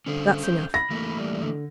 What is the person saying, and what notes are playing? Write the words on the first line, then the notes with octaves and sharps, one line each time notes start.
That's enough.'
D3 C#4 A4 C5
G6
B5 A#6
E3 A3 A#3
G3
D3